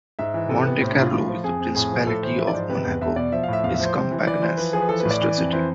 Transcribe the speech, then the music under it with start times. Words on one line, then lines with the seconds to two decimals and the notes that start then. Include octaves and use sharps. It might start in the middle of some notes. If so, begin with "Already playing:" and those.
Monte Carlo in the Principality of Monaco is Campagna's sister city.
0.19 G#2 E5
0.34 E3
0.49 C3 A4
0.66 C3 B3
0.81 A2 C4
0.92 D4
0.97 A2
1.02 F4
1.13 A2 F4
1.28 F3
1.43 F2 G#4
1.59 F2
1.75 A2 G#4
1.91 F3
2.07 A2 A4
2.22 E3 C5
2.38 F3 E5
2.47 D5
2.54 G#2 C5
2.69 C3 B4
2.85 E2
3.01 E2 E5
3.16 B2 D5
3.32 F3 E5
3.43 F5
3.48 A2 E5
3.63 E2 F5
3.74 E5
3.79 F3
3.85 C5
3.96 C3
4.11 E3
4.27 E3 D5
4.42 E3 C5
4.58 F3 B4
4.73 F3 G#4
4.82 B4
4.89 E3 A4
5.00 B4
5.05 A2
5.11 D5
5.21 E3
5.37 F2
5.53 E3 C5